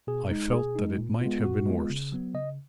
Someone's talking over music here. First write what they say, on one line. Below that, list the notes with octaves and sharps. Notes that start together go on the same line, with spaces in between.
I felt that it might have been worse.
B2 G#4
G#3 D#4
B2 G#4
G#3 D#4
A#2
G#3 B3 F4
A#2 F#4
G#3 B3 F4
C#3
F#3 B3
C#3 D#5